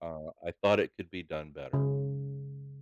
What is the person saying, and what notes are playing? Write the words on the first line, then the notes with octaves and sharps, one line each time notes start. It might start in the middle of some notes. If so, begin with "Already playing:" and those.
Uh, I thought it could be done better.
C#3